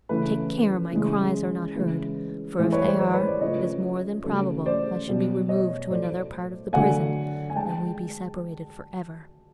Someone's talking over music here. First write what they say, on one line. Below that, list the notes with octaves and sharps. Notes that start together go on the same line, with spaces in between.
Take care my cries are not heard, for if they are it is more than probable I should be removed to another part of the prison, and we be separated forever.
C#3 E3 A3 B4
C#3 E3 G#3
C#3 E3 G#3 B4
A2 E3 G#3 C5
B4 C#5
C5 D5
C5
B4 C#5
C5 D5
C#3 F3 A3 C#5 D#5
C#3 F#3 A3
C5 D5
B2 G3
C#5 D#5
A2 F#3 A3 C5 D5
D3 F#3 A3 F#5 G#5
G#5
G#3 G5 A5